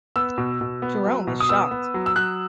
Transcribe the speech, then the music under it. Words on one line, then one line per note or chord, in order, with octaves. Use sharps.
Jerome is shocked.
B3 E6
B2
B2
B3
F#3
B2
D#6
B3 E6
B3
F#3
E6
F#3 F#6